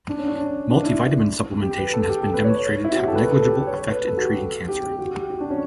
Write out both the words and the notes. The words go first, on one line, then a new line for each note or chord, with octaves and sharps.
"Multivitamin" supplementation has been demonstrated to have negligible effect in treating cancer.
D4
C#4
D4
D4
E4
G4
B4
A4
G4
A4
B4
C#5
E4
F#4
G4
A4
B4
A4
G4
B4
C#5
B4
B4
A4
F#4
G4
A4
G4
G4
F#4
G4
F#4
D4
C#4